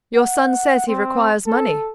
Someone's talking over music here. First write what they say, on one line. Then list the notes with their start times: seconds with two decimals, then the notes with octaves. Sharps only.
"Your son says he requires money."
0.16 F#5
0.87 C4
1.47 A4